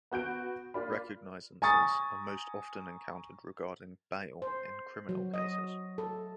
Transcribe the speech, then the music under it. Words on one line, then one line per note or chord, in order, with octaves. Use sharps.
Recognizances are most often encountered regarding bail in criminal cases.
B3 F#4 G6 D7
A#3 F4 D5 B5
G#5 A#5 C#6 D#6 A6
C5
F#3
D#5
A4